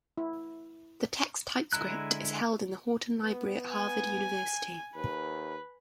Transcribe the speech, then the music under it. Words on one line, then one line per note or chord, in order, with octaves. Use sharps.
The text's typescript is held in the Houghton Library at Harvard University.
E4
D3 G#3 E4 A#5 F#6
B3
G#5
D#2 B4